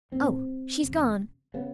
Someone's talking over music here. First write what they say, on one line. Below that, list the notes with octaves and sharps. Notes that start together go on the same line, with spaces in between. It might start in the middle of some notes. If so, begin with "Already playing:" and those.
"Oh! she's gone!"
B1 A2 C4
E1 D#2 C#3
C#3 B3